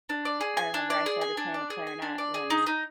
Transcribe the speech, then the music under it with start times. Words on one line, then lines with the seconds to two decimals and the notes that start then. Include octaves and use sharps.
I remember I started playing the clarinet when
0.09 D4
0.25 D5
0.41 G#4
0.57 G#5
0.74 D4
0.90 D5
1.06 G#4
1.21 G#5
1.37 D4
1.54 D5
1.70 G#4
1.87 G#5
2.02 D4
2.18 D5
2.34 G#4
2.50 D#4
2.66 D#4